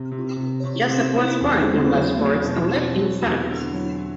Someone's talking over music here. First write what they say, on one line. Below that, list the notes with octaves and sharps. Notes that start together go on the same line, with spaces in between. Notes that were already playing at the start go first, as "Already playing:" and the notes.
Josep was born in Les Corts and lived in Sants.
Already playing: C3
C3
C3
C3
C4
C4
E2
C4
F#3
F#3
B2
C4
F#3
E2
D3
F#3